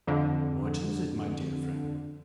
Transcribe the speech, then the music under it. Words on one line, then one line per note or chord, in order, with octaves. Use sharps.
"What is it, my dear friend?"
F2 D3